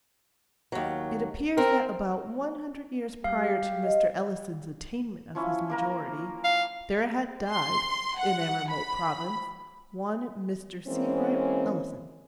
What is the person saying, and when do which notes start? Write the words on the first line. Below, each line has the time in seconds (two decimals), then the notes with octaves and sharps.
It appears that about one hundred years prior to Mr. Ellison's attainment of his majority, there had died, in a remote province, one Mr. Seabright Ellison.
0.72 D#2 F#3
1.58 C4 A#4
3.24 G3 G4 F5
3.84 D#5
5.35 F3 C#4 E4
5.70 A#3 A#4 A#5
6.44 F5
7.48 C6
8.18 F#5
8.70 B5
10.88 E3 G#3 A#3 C4 C#4